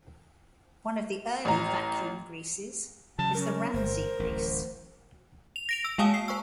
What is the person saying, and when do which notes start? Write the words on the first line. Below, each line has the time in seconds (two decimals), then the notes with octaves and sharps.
One of the early vacuum greases is the Ramsay grease.
1.45 A1 A#5
3.19 C#3 F#3 A5
3.34 C#4 A#4
3.73 G1 C5
4.19 D1 A1
5.56 F7
5.69 A#6 D7 F7
5.84 E6
5.98 G#3 A#3 F5 G#5 A5 D#6
6.14 C7
6.28 C5 C#6 E6